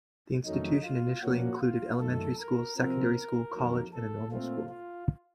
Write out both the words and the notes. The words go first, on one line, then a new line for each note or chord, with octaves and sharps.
The institution initially included elementary school, secondary school, college, and a normal school.
F2 D#3 F#3 A3 C#4 D#4
F4
A#2 F3 A#3 C#4 F#4
F4
F#2 D#3 A3 A4
A#4
C3 F3 C4 A#4
F2 D#3 F#3 A#3
A4
A#2 A3 C4 F4
F4